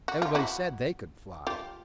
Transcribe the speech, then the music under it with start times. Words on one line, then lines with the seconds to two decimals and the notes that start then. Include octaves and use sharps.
Everybody said they could fly.
0.08 F#4
0.22 F4
0.35 E4 F#4
1.47 F4 G4